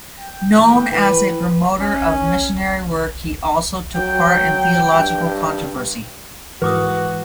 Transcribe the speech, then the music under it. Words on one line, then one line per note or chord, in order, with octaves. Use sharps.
Known as a promoter of missionary work, he also took part in theological controversy.
G5
E3 A3
E3 B4
C#4
F#3 G5
G2
G#2 E3 F#4 B4 D6 D#6